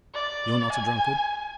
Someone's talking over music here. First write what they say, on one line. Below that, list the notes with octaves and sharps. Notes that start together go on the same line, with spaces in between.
You're not a drunkard!
D5
G#5